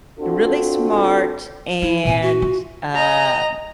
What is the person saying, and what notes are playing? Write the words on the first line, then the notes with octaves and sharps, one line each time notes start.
Really smart and, um,
C4 D4 F4 F#4 A4
F3 E4
A#2 C4 G#5
F#4
F4
D#5 A#5